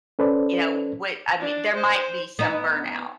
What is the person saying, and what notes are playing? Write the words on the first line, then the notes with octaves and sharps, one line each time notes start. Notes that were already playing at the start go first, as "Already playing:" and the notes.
you know, what I mean, there might be some burnout,
C#4 A4 B4 C5 D5
D4
C5
B3 D#4 E4